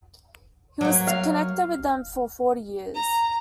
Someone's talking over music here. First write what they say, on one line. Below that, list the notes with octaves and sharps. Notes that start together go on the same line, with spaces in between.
He was connected with them for forty years.
F#3 A#3
F5
A#5